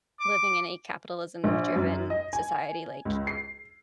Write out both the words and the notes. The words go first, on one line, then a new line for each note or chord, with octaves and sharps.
living in a capitalism-driven society, like
D6
A#1
F#2
D#5
G#5
C#2
C7